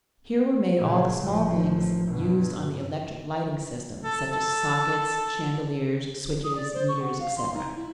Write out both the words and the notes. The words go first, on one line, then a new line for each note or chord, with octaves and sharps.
Here were made all the small things used on the electric-lighting system, such as sockets, chandeliers, switches, meters, etc.
A#2 C#3
A1 F3
G2 B2
A4
A4
D#6
D5
C5
C#6
F#5
F5
C6
D#4
E4